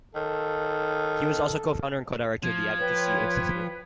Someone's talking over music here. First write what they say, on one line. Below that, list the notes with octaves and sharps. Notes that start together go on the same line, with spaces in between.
He was also co-founder and co-director of the Advocacy Institute.
D#3 A4
F3 G#6
B4 C#5 G5